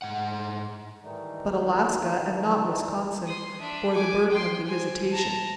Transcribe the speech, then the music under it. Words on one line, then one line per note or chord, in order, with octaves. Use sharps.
But Alaska and not Wisconsin bore the burden of the visitation.
G#2 F#5
D#3 E3 G3 A3 D#4
C6 D#6
D4 E5
G#5 D6
G5 C6
C5 G#5
A5 A#5